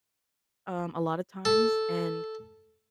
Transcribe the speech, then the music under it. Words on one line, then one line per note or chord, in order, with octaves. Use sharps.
um, a lotta times. And
A4